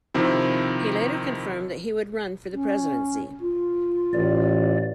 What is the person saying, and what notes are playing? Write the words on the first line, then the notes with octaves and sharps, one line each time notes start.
He later confirmed that he would run for the presidency.
C3 D#3 F3 C4 E4
C#4
F4
A1 D5